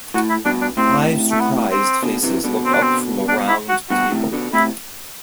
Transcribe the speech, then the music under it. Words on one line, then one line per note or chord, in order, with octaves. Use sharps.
Five surprised faces looked up from a round table.
A2 F#4
E4
G2 B2 D4
D4
A2 C3 C4
A3
B3
C4
B2 D3
C3 E3
B2 D3
C4
D4
C4
D4
E4
F#4
G2 B2 F#4
A2 C3
B2 D3
A2 C3 E4